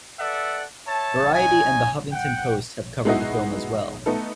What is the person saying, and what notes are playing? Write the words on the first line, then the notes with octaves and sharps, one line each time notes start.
Variety and The Huffington Post have covered the film as well.
A4 B4 D5 E5 F#5
C#5 E5 A5
C#4 D#4 G#5
F#5 G5
G#3 B3 D#4 E4 F#4 D#5
A3 B3 D#4 A4